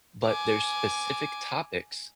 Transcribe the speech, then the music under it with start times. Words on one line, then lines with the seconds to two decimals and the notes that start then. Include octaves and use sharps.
but there's specific topics,
0.24 G#5 D6